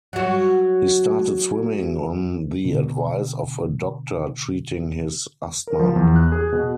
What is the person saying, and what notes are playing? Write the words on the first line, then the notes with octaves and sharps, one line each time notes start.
He started swimming on the advice of a doctor treating his asthma.
F#3 F#4
B2 D3
A#4
F3
E2
F#6
G#4
B2